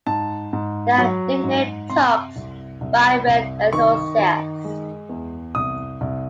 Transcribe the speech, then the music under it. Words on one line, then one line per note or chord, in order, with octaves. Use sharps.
They are nicknamed Tugs by rail enthusiasts.
G#2 A5
G#2
F#3
G#2
C3 C6
C2
C2
C2
D#3 C#6
D#3
G#3
E2
C2 D#6
C2